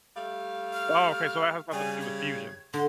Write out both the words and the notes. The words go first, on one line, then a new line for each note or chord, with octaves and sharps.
Oh, okay, so that has nothing to do with fusion.
G3 A3 F5
F6
C#3 G3 G#5
G#6
D3 C6